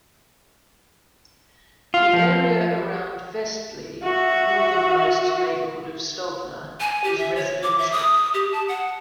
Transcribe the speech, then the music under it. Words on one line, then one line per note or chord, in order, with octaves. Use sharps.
The area around Vestli, the northernmost neighborhood of Stovner, is residential.
F4
F3
F#4 E5
G#5
G4
E5
C#5
D6
E5
D#6
G4
A5
F#5